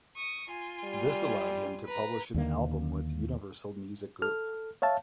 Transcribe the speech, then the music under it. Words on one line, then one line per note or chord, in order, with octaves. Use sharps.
This allowed him to publish an album with Universal Music Group.
C#6 D#6
F4 G#5
G3
B4 A#5
D#2 D3 A#3
A4 F6
C#5 E5 F5 A5